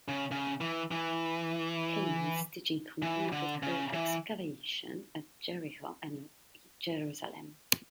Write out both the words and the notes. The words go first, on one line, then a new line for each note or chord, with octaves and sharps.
Kenyon's teaching complemented her excavations at Jericho and Jerusalem.
C#3
C#3
E3
E3
E3
D3
C#3
E3